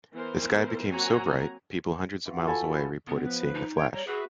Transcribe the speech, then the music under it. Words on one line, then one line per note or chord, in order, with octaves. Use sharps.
The sky became so bright, people hundreds of miles away reported seeing the flash.
E3 B3 A#4 C5
F#3 A#3 C4 F#4 G#5 A#5
E3 F4 F#4
A4 G#5 B5
D3 B3
F3 B4
D#4
C#5 G5
G3 C#5 A#5
F#4 G#4 B4 E5